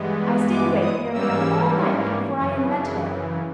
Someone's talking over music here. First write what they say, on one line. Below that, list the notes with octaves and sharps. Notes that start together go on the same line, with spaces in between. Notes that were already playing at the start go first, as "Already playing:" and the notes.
I stayed awake nearly a whole night before I invented it.
Already playing: G2 E3 G#3 B3
D6
D#6
G#2 E3 G3 A#3 C#4 E6
F#2 C#3 E3